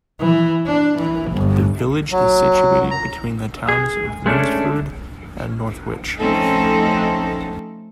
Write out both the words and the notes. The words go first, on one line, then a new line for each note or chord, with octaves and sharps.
The village is situated between the towns of Winsford and Northwich.
E3
D4
E3
G1
F#3
A#5
G#4
G#3 A3 C#4 D4
F3 A3 C4 C#4 D#4 A4